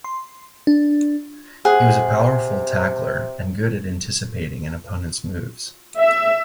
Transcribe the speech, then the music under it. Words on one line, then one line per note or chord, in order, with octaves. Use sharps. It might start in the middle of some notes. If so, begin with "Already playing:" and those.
He was a powerful tackler and good at anticipating an opponent's moves.
C6
D4
C3 G#4 F#5
E5